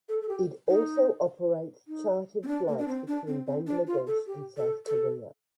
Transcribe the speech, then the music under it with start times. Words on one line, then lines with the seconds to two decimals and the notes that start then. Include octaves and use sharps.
It also operates chartered flights between Bangladesh and South Korea.
0.09 A4
0.22 A4
0.29 G4
0.69 D#4
1.88 D#4
2.43 C4
2.48 D4
2.68 A#3
2.78 D4
2.88 C4
3.08 D4
3.27 C4
3.47 C4
3.67 D4
3.87 F4
4.07 A4
4.27 G4
4.57 A4
4.87 A4